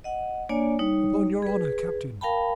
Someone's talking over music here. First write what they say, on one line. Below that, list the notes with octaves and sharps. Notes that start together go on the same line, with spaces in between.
"Upon your honour, Captain."
D#5 F#5
A#3 D4 C#5 D5 G#5
G3 D#4 C#5
G#4 B4
A#4 F5 G5 A5 B5